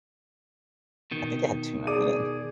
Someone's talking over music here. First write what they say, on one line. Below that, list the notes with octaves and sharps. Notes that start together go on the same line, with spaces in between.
I think it had tuna in it.
B2 D#3
G#4 D5 D6 D#7